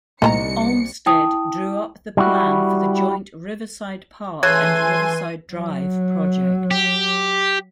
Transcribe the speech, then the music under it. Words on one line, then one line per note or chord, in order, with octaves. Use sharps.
Olmsted drew up the plan for the joint Riverside Park and Riverside Drive project.
C2 A#2 D#3 A3 A#3 E4 A#5 C#7
E4 G5 A5 D#6
G3 E4 F#4
C#3 E3 A3 G#5 C6 F#6 G#6 D#7
F#3
G4